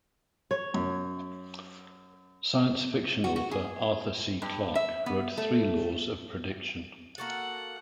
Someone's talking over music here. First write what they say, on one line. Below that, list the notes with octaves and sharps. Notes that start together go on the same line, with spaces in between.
Science fiction author Arthur C. Clarke wrote three laws of prediction.
C#5
F#2
F#4
F#4
G#4
G2
E5
B3
A3
A#3 F#4 A4 F#5